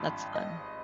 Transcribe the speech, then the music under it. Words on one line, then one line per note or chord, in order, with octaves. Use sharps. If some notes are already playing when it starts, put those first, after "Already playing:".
That's fun.
Already playing: G#1 G2 F3
D#5